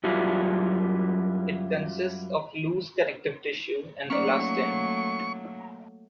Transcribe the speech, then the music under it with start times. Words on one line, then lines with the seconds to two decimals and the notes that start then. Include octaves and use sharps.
It consists of loose connective tissue and elastin.
0.04 F#2 F#3 G3 E4 F4
4.10 F#3 A3 A#3 C#4 D#4 D5 C#6